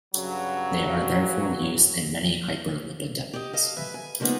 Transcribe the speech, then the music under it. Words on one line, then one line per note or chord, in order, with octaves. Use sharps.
They are therefore used in many hyperlipidemias.
G2 C#3 F#3
G4 D#5
A4 D#5 F5
B4 E5 G#5
G#5
C#3 F3 G#3 A#3 B3 D#4